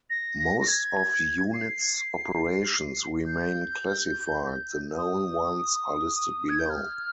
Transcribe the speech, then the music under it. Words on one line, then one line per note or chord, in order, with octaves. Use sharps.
Most of unit's operations remain classified, the known ones are listed below.
A#6
A#6
A#6
G#6
C7
G6
D#6
G#6
G6
F6